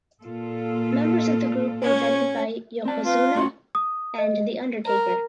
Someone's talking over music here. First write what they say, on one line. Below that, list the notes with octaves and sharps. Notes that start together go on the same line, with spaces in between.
Members of the group were vetted by Yokozuna and The Undertaker.
A#2 F4 A4
C#4 C#5
C4 D5 A5
F4 B4
A2 C#4 F#4 C6
D#6
D#5
A#4